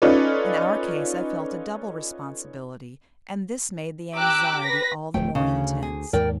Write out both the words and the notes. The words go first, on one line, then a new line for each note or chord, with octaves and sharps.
In our case I felt a double responsibility, and this made the anxiety all the more intense.
C#4 D#4 F4 A4 B4 D5
G4 G5 A#5 D6 E6 F#6
B4 A#6 B6
D1 F2 A3 G5
D2 C#3
G#4
D#2 G#2 A#4 D5 G5